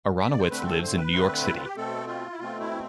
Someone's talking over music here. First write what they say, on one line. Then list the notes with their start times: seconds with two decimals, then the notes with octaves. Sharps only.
Aronowitz lives in New York City.
0.19 E5
0.30 D5
0.39 C5
0.50 D3 A3 C4 B4
0.66 A4
0.82 C5
0.97 B4
1.13 D3 A3 C4
1.44 E4
1.55 F4
1.65 G4
1.76 B2 A3 C4 A4
2.07 F4
2.32 E4
2.39 B2 A3 C4 F4
2.60 E4